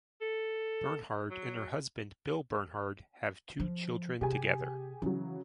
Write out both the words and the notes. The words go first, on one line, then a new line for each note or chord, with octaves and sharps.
Bernhard and her husband Bill Bernhard have two children together.
A4
F#3
F3
C3 G4 G#4 G#5
C#3 E3 F#3